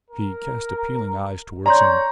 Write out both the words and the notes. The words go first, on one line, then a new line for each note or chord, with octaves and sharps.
She cast appealing eyes toward him.
A#4
C#5 D5 A#5 C6 G6